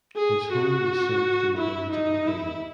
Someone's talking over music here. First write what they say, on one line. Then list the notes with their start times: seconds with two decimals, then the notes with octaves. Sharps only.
His home was searched in the village of Lukovo.
0.16 G#4
0.52 F#4
1.58 E4
1.92 D#4
2.27 E4